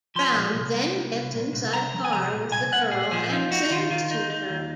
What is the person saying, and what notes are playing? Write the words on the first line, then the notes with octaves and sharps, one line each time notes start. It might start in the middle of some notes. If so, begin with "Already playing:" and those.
Brown then gets inside a car with the girl and sings to her.
F3 C6
A#2
C2
C2
C2
C2
A#2
C2
C2 A#5
F3
G#5
C2 A#5
A#2
C2 G#5
C2 F#5
A#2 G#4
F3 G#4
D#4 F4
D#4 F#4
D#4
D#3 F4
D#3 F4
D#4
D#4
D#2